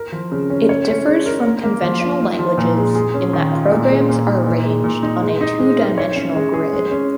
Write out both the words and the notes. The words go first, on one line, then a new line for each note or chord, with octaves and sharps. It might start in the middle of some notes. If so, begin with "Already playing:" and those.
It differs from conventional languages in that programs are arranged on a two-dimensional grid.
Already playing: A#4
F3
C#3
C#4
C#5
C#4
G#3
A#4
A#4
A#3
F3
F4
D#4
F3
A#2
G#3
G#4
C#4
D#3
F4
A#2
G#3
A#2
D#4
A#2
G#3
A#2
D#4
G#3
D#4
G#3
A#4
C#5
C#4
G#3
G#4
G#3
C#4